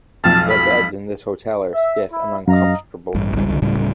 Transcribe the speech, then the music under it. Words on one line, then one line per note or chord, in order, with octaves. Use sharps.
The beds in this hotel are stiff and uncomfortable.
B1 F2 A5 F6
B5
E5
E4
F#2 D#5 F5 A#5
A1 G2
G#1 C#2 G3
C2 D3
D1 A2 C#3 G3